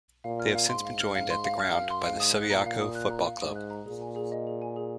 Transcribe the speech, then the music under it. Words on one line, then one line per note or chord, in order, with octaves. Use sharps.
They have since been joined at the ground by the Subiaco Football Club.
A#2 F5
F6
F5
G#2 C6
F5
F6
G#2 F5
C6
F5
F#2 F6
F5
C6
G#2 F5
D#6
F#6
A#2 A#5
F5
D#6
F#6
A#5
F5
G#2 D#6
F#6
A#5
A#2 G#4
G#5
G#4
D#5
G#4
G#5
G#4